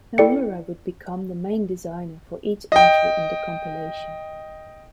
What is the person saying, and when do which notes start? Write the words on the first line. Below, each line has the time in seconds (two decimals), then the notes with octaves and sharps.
Nomura would become the main designer for each entry in the "Compilation".
0.18 E4 A4 D5 G5 C#7
2.72 D#5 G5